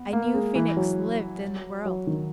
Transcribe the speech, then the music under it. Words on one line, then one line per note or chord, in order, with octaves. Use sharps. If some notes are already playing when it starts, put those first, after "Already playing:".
A new Phoenix lived in the world.
Already playing: B3
A#3
G#3
E3
F#3
F#3
D#3